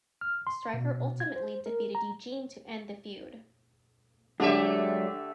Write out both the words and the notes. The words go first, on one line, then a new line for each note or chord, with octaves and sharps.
Striker ultimately defeated Eugene to end the feud.
F6
C6
B2
G#6
C5
A#4
A#5
D3 F#3 G#3 A3 D4 G4 E5